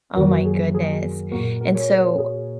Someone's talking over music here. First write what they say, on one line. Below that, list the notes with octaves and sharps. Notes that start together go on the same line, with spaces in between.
oh my goodness, and so
F#2 D#3 F#3 A#3 F#4 A#4
G#4
G#4
A#2 A#3 F#4 A#4
F#4 A#4
G#4 C#5
F#4 A#4
G#4